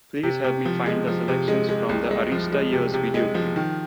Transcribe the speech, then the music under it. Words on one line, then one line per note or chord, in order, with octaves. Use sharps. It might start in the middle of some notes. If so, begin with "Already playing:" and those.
Please help me find the Selections from the Arista Years video game.
C3
C3
F3
G#3
F3
C3
G#3
G#3
C2
G#3
F3
G#3
C3
C3
G#3
F3
D#3